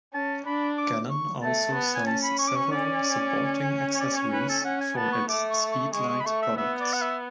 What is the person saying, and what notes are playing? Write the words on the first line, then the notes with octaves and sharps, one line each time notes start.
Canon also sells several supporting accessories for its Speedlite products.
C#4 A5
D4 B5
D6
C#6
A3 A5
B3
G#5
C#4 A5
B5
C#6
D6
C#6
D5
C#5
D5
C#5
B4
A4
C#4 F#5
G#5
B3 A5
C#6
A3 D6
C#6
C#6
G#3 C#6
C#6
B5
A3 C#6
E5
B3 E5
D5
F#5
E5